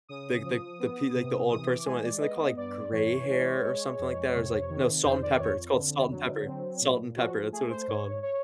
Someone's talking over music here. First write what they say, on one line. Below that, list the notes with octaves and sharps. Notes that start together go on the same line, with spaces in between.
the the the pe like, old person one. Isn't it called, like, gray hair, or something like that, or is like No, Salt and Pepper. It's called Salt and Pepper. Salt and Pepper, that's what it's called.
C#3 D#6
F3
B3
C3
E3 D#6
D6
G#3 G#5
D5
B3 D#5
G2 D5
E3 C#5
G#3
G#3
F2
C3
D#3
F2 C5
D5
F2 C#5
D3
F#3
C4
A#2
F3 F#4
A3 G#4
C5
G#2 C#5
C#5